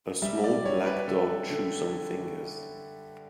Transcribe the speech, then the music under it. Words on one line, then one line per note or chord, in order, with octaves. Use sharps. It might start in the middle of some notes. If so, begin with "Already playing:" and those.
A small black dog chews on fingers.
G3 E5
D5
G3 C#5
B4
B4
D3 A4
D3